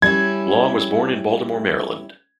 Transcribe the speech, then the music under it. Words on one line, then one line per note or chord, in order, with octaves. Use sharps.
Long was born in Baltimore, Maryland.
G3 C#4 E4 G#6